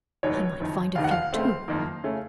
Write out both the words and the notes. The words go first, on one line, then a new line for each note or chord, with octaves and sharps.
"I might find a few, too."
F1 D#2 D#3 F#3 C#5
F#1 F2 D#3
F1 D#2 D#3 F5
F#5
F5
C#2 C#3 A3 C4
F#1 F2 D#3 A#3
C#3 A3 C#4